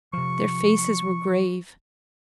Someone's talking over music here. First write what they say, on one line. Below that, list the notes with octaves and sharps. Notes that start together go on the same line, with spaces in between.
Their faces were grave.
C3 F3 C#6